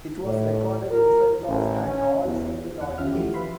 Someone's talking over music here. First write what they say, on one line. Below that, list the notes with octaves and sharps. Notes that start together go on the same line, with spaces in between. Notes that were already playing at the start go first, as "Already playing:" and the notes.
It was recorded in front of an all-female audience.
A2
A#4
A1
C#4
E2
E2 F#5
D#2 C#4 F4 E5 F6
E3 F3 A3 E4 F#4 G4
B4 E5 F5 B5 C6